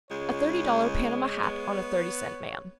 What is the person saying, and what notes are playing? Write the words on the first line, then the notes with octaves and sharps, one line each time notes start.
A thirty-dollar Panama hat on a thirty-cent man.
C#2 G#3 C#5
B3